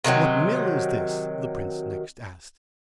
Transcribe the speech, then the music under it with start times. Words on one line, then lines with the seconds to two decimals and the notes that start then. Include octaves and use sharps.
"What mill is this?" the prince next asked.
0.04 C3 D#3 E3 F#3